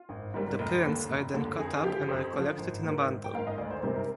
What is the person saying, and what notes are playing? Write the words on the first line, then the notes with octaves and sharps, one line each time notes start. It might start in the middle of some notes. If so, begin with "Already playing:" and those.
The prints are then cut up and are collected in a bundle.
Already playing: F4
G#1
G#2 D#3 G3
F1
D#2 D3
F1
D#2 D3
F2 G#4
D3 F3 G4
F2 C5
D3 F3
G#1
G#2 D#3
G#1
G5
G#2 D#3 F5
D#5
D2 D5
C5
C3 D#3 G3 C5
A#4